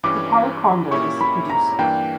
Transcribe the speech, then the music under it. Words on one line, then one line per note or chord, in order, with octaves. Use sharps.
Hikaru Kondo is the producer.
G2 E3 G3 C#4 D6
A#2 A#3 C#4 E4 G4 C#6
B5
A#5
G2 E3 A#3 D4 G5